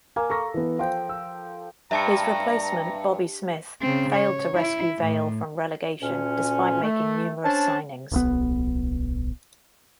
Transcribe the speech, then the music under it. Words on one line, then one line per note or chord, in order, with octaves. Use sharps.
His replacement Bobby Smith failed to rescue Vale from relegation despite making numerous signings.
A#3 G#5
A4 A#5 C#6 A#6
E3 B3
F3 C5 G5
E6
G2 E5 A5 A#5 C#7
C#3 C4
C#5
E4
A2
D2 A#2 C#4
A3
C#4 D4 C5 A5
D1 B1 B3